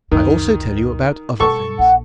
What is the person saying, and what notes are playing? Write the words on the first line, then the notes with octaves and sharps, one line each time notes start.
I also tell you about other things.
C#2 F#2 D#3
B2 G3 A4 C#6
A#1 F#5